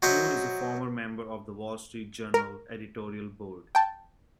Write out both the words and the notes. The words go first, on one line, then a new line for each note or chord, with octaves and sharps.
Moore is a former member of the "Wall Street Journal" editorial board.
F#3 C5 D#5 E5 F#5
A#4
G5 A5